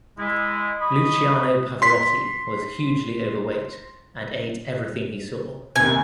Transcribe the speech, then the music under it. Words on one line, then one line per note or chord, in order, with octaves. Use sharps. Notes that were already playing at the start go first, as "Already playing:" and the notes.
Luciano Pavarotti was hugely overweight and ate everything he saw.
G#3 E4
D#5 B5 C#6 D#6
C6 B6 C7
D#2 C3 G#5